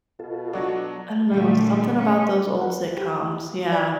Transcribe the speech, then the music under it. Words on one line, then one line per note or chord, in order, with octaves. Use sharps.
I don't know, something about those old sitcoms, yeah.
B2 F4 A4
F#3 D4 F#4
A#2 D3 E3 G3 A3
A3 C#4
B4 F#5
G4
D5 G#5 B5 G#6